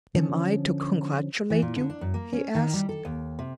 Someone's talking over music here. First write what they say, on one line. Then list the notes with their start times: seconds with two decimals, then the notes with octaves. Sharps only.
"Am I to congratulate you?" he asked.
0.14 D3 F3 A#3 C#4
1.50 E3
1.62 A#2
1.76 D3
1.90 D4
2.01 F#2
2.14 A#3
2.33 C#4
2.55 D#3
2.73 G3
2.89 A4
3.05 D#2
3.39 C3